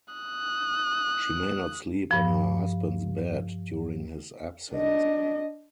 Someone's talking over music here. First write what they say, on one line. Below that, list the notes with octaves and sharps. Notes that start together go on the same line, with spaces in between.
She may not sleep on her husband's bed during his absence.
D#6 F#6
G2 F3
D4 D#5